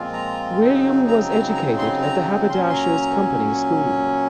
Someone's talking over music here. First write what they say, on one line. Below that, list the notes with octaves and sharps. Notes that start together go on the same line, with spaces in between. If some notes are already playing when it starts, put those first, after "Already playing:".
William was educated at the Haberdashers' Company School.
Already playing: A#2 F3 G#3 C4 F4
A#5
C#3 F#3 C4 D#4
A#5
A#5
A#5
C6
A#5
A#2 F#3 C#4 C6
C6
A#5